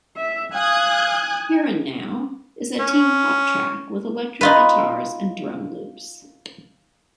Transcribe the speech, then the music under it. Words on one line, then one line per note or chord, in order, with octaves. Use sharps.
"Here and Now" is a teen pop track with electric guitars and drum loops.
E5
F5 G#5 D#6 F#6 G#6
C#4
D#4 F4 B4